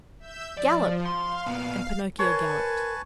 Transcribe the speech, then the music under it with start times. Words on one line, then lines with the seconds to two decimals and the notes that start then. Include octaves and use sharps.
"Gallop!" and Pinocchio galloped.
0.19 E5 E6 G6
0.57 F3 D5
1.06 F5 C6
1.46 A#2 B3
2.19 A#4 B4 C#5 G#5 A5 C6